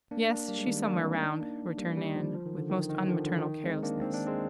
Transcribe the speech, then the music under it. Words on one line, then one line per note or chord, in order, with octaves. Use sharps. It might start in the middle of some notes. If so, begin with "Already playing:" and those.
"Yes, she's somewhere round," returned Nan, with most unmaternal carelessness.
A#3 D4
A#3 D4
G3 A#3
G#3
D#3 G3
A#3 D4
C4 D#4
D4
D#4
A#3 D4
G3 A#3
D#3 G3
D3 F3
F3
D#3
D3
D#3
D#3
D3 F3
D3
F3
D#3
G#3 C4
A#3 D4
C4
D4
G#3 C4